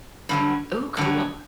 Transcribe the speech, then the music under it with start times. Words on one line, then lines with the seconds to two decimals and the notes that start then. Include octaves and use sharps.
Ooh, cool.
0.29 G2 D3 F#3
0.97 G2 D3 F#3